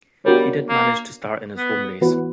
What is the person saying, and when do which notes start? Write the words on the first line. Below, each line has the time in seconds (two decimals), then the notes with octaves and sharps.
He did manage to start in his home race.
0.25 G3 B3 D4 F#4 A#4 C#5
0.69 A#3
1.56 B3
2.01 E3 B3 F#4 B4